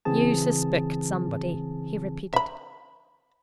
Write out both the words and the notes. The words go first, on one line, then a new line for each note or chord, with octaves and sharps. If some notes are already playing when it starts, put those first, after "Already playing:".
"You suspect somebody," he repeated.
C#3 E3 C4 G#4 A5
E5 B5